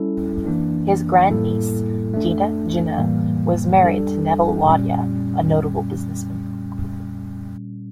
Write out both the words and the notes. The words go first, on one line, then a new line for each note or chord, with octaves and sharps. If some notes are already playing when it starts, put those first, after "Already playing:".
His grandniece, Dina Jinnah, was married to Neville Wadia, a notable businessman.
Already playing: G3 C#4 E4 A4
E3 A#3 D4
A2 G3 A#3 E4 A4
A3 D4 A4
A2 E3 G3 A#3
G3 D4 A4
A#2 G3 C#4